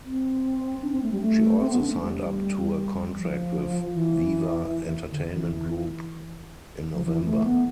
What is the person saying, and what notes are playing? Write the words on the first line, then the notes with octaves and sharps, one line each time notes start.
She also signed up to a contract with Viva Entertainment Group in November.
C4
D4
C4
A3
G3
A3
C4
B3
D4
A3
G3
F3
E3
D3
D3
E3
F3
E3
A3
B3